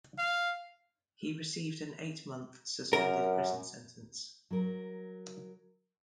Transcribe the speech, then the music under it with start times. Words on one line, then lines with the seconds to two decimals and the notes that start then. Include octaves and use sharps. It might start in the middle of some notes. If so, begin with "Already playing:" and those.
He received an eight-month suspended prison sentence.
0.19 F5
2.93 F#2 A#4
4.51 F#3 A#4